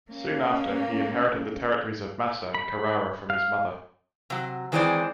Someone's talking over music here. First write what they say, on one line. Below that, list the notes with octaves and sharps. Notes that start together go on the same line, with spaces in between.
Soon after, he inherited the territories of Massa and Carrara from his mother.
A#3 C#4
B5
F5
C3 F#3
D#3 E3 G#3 C4 C5 D5